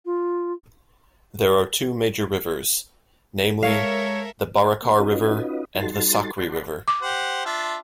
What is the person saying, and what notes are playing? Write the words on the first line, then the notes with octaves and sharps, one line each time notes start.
There are two major rivers, namely, the Barakar River and the Sakri River.
F4
G#3 A4 A#4 C#5 E5 F5
A#3
C#4 D#4 F4 F#4 B4 D#5
G3 D#4 F#4 A4 C6 A6
D5 F#5 A5 B5 C6
D6
G4 C5 F#5
D4 F4 E5